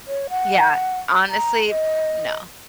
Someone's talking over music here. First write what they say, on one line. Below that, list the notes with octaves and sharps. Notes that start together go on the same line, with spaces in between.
Yeah. Honestly, no.
C#5
F#5
A#5
D#5